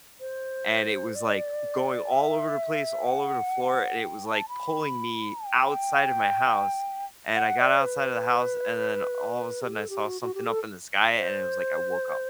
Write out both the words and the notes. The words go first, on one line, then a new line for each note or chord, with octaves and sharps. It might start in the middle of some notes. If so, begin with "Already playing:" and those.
And it was like going all over the place, all over the floor, and it was like pulling me outside of my house, and I got outside of the house, and then all of a sudden I saw something up in the sky, and it was like I woke up.
C5
D5
E5
F#5
G5
A5
B5
G5
F#5
D5
B4
G4
A4
G4
F#4
F#4
G4
A4
C5